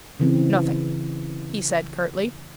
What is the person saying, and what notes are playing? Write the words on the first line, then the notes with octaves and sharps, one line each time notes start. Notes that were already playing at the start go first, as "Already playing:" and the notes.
"Nothing," he said curtly.
C#3 E3 C4